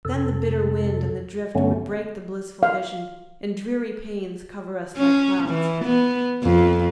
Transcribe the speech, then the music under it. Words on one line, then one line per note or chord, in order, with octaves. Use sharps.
Then the bitter wind and the drift would break the blissful vision and dreary pains cover us like clouds.
F2 C3 A4
G2 D3 F#3 A3 B3 C#4
F5
C#4
E3
B3
F2